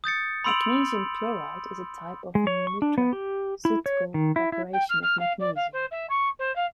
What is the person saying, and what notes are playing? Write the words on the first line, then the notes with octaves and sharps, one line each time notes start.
Magnesium chloride is a type of neutraceutical preparation of magnesium.
D#6 G6 A6 C#7
B5 C6 E6 D7 F7 F#7
G#3
C#5
C#6
D4
B3
G4
E4
C#5
D#3
E4
E4
G5
F6
F6
F5
D5
F5
C5
E5
C#6
C5
F5